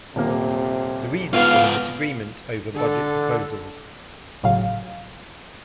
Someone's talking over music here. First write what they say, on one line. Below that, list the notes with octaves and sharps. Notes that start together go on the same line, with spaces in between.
The reason was a disagreement over budget proposals.
D#1 C3 A#3
G#2 B3 F4 F5
D3 A4
G1 A2 C#3 F#3 F5